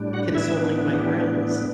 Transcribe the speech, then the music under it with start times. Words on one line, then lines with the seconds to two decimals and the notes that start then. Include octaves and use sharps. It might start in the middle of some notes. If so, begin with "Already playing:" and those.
consoling my friends?
Already playing: A2 G3 D4
0.13 F#4 F#5
0.35 A2 E3 B3 D4 E4 E5
0.99 G4